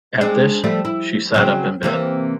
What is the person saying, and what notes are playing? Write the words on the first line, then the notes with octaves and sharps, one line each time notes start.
At this she sat up in bed.
G#3 C4 D4
F3 G3 A3
E4
C#3 F#3 C4
C3 E3 A#3